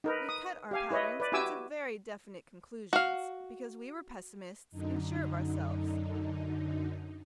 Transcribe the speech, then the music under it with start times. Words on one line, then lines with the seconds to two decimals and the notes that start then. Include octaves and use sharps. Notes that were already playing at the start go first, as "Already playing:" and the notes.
We cut our patterns into very definite conclusions because we were pessimists and sure of ourselves.
0.04 D#4 A#4 B4
0.29 D#6
0.71 G4 F5 G#5
0.91 E4 B4 C#5 D#5 E5
1.20 B4 D5
1.32 E4 F#4 G4 G#5 D6 E6
2.93 F#4 F5
4.71 F#2 D3 D#4